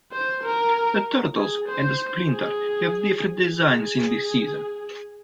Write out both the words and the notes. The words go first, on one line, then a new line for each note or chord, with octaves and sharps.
The Turtles and Splinter have different designs in this season.
C5
A#4
G#4
C5
G#4
G#4